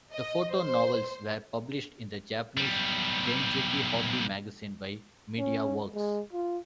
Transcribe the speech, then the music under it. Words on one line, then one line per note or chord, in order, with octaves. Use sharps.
The photo-novels were published in the Japanese Dengeki Hobby Magazine by Mediaworks.
D#5
C5
B1 G3
C#4
G#3
F4